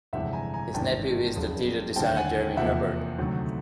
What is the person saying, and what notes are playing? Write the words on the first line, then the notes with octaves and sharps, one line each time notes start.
His nephew is the theatre designer Jeremy Herbert.
G1 F2 C3 E3 G#3 E5 F#5
G#5 A#5
G#5 A#5
G#1 G2 E3 G5 A5
F#1 F2 C#3
D#2 D3 G3 C4 G5 A5
F#5 G#5
E2 C3 F3 A#3 E5 F#5
D2 C3 D#3 F#3 A3